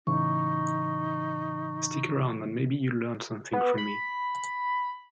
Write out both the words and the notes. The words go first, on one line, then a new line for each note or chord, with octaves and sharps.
Stick around and maybe you'll learn something from me.
A2 C#3 E3 D#4 C#6
B3
B5